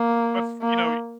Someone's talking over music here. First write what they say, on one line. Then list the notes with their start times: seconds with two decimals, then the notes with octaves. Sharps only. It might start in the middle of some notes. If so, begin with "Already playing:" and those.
but f you know, y
Already playing: A#3
0.61 A#3